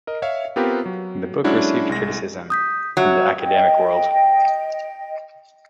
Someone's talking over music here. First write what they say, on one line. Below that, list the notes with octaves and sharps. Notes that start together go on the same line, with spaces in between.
The book received criticism from the academic world.
A#4 D#5
C#5 E5 F5
B3 C4 F4 G4 A#4 B4
F#3
F#3 G#3 C#4 D4 E4 F#4
C2 G#3 A#6
D#6 G6 B6
F#3 E5
D#5 G5